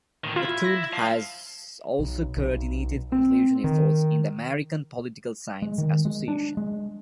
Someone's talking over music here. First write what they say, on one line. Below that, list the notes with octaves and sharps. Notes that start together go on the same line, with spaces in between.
Htun has also coordinated inclusion efforts in the American Political Science Association.
A2 D#3
E4 F4
A#6
F5 A5
B1
B1
C4
D#3
G#3
D#3
G#3
D4
G#3